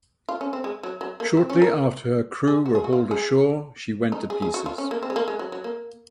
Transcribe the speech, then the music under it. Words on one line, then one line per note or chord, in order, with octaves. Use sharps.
Shortly after her crew were hauled ashore she went to pieces.
F4
C#4
C4
G#3
F#3
F#3
A#3
C4
C#4
A#4
G#4
F#4
G#4
F#4
F4
G#4
D#4
G#4
G#4
F#4
F4
C#4
A#3
C4
G#3
A#3
G#3
F#3
F#3
A#3